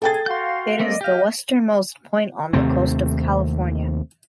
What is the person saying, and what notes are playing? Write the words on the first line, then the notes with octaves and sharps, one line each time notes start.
It is the westernmost point on the coast of California.
G#4 A4 G5 A6
F#4 F5 C6 G6
A3 A#3 C4 D5 D#5
G4 D#5 F5 G6
D#2 C3 A3 C4